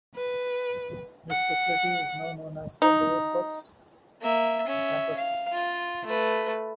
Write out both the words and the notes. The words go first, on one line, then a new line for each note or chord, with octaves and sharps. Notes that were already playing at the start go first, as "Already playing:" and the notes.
This facility is now known as the Lower Bucks Campus.
B4
F#5
D#4
A#3 E5
C#4 E5
F5
F4
A3 B4